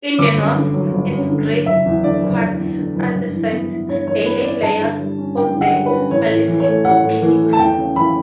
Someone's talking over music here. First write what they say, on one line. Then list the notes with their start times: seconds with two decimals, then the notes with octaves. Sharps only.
In the north is grey quartz andesite, a higher layer of the Ainslie Volcanics.
0.18 G1 D6
0.37 F#2
0.56 D3
0.74 F#3
0.92 G1
1.11 F#2
1.29 D3
1.48 F#3
1.66 F#1 E5
1.86 E2
2.04 D3 D5
2.23 F#1
2.40 F#1
2.60 E2
2.78 D3
2.96 F#1
3.15 G2
3.33 E3
3.52 B3
3.70 E4
3.88 G2 C#5
4.07 E3 C#5
4.25 B3 B4
4.44 E4 D5
4.63 G2 A5
4.81 D3
4.99 G3
5.18 C#4
5.37 G2 G5
5.55 D3
5.61 F#5
5.74 G3
5.86 B4
5.92 C#4
6.11 A1 C#5
6.30 A2
6.48 E3
6.60 C#5
6.66 A3
6.85 A1 F#5
7.04 A2
7.22 E3
7.41 A3
7.53 A5
7.59 E2 G5
7.78 C#3
7.95 E3 B5